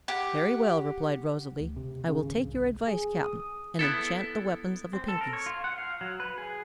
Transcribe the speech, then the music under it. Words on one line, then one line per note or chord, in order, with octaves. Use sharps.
"Very well," replied Rosalie; "I will take your advice, Cap'n, and enchant the weapons of the Pinkies."
G4 F#5
D2
C3
C#3
G#1
C2
G#4
D#6
B3 E4 A4
C4
A4
A#4
C#5
F4
F#5
F5
F#3
B4
G#4